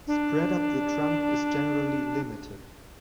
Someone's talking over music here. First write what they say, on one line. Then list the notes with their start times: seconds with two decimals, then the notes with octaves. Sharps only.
Spread up the trunk is generally limited.
0.07 D4